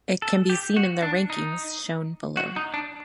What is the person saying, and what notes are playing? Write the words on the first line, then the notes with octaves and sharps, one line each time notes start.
It can be seen in the rankings shown below.
A4
G4
F#4
D4
D#4
F#4
D#4
D4